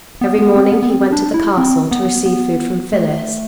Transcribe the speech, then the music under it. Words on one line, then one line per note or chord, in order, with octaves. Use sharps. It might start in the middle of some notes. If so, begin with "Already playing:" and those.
Every morning he went to the castle to receive food from Phyllis.
B3
B3
C4
B3
B3
C4
D4
E4
C4
B3
B3
A3